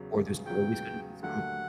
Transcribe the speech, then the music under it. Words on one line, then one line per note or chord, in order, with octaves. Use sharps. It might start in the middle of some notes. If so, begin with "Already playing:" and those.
or there's always gonna be some
Already playing: E2 C#3 F#3
E2 C#3 F#3 G5
D#2 D3 F#3 A3 F#5